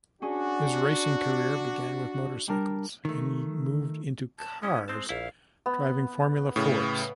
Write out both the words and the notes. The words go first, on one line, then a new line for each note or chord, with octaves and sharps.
His racing career began with motorcycles and he moved into cars driving Formula Fords.
C#4 D4 F#4 G#4
G3 D4 A#4
D#3 A3
A5
G#3 C#4 E4 D#6
G#3 C4 C5 A5
A#1 E4 F5
B3
A2 C#3